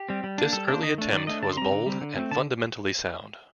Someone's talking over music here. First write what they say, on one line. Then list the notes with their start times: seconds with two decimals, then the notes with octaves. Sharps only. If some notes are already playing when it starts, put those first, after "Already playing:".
This early attempt was bold and fundamentally sound.
Already playing: G4
0.09 G3 C4
0.24 G3
0.38 A#3 D4
0.53 G3 A4
0.68 A#3 D4 C5
0.82 D#3 D#5
0.98 A3 D4
1.13 D#3 D5
1.27 A3 D4 D#5
1.43 D3 A5
1.53 C6
1.57 G3 C4 A#5
1.71 D3
1.86 G3 C4
2.01 D3
2.17 A3 C4
2.31 D3 A5